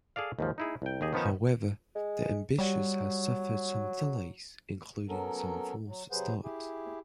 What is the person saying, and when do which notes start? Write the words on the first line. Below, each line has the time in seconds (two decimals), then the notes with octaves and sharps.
However, the ambition has suffered some delays, including some false starts.
0.16 G#4 A4 D5 F5
0.39 D#2 G#2 F3
0.58 D#4 E4 G#4
0.82 C2 G5
1.01 D#2 G4 G#4 D#5
1.13 D#3 F3 B3 C#4 D#4
1.95 G#3
2.58 F#3 G3
5.09 F#3 B3 C#4 A4 A#4
5.87 F#3
6.11 C3 F#3 G#4 B4 C5 F#5
6.44 E4 G4 G#4